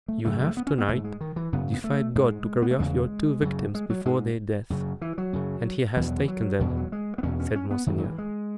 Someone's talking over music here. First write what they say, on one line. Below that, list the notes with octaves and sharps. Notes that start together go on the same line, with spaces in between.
'You have to-night defied God to carry off your two victims before their death, and he has taken them,' said monseigneur.
A3
F#2 C#3 A3
A3
B3
C#4
B3
G#2 A3
G#3
D#3
E3
F#2 C#3 B3
B3
A3
G#2 G#3
B3
A3
E2 C#3 G#3
F#2 C#3
G#3
F#3
G#2 G#3
F#2 C#3
E3
F#3
F#2 C#3
E2 B2 E3
F#3
E3
F#3
E2 B2 D#3
E3
F#3
G#3
B3
E2 B2 C#4
C#4
C#4
B3
G#2 D#3
D#3
E3
G#3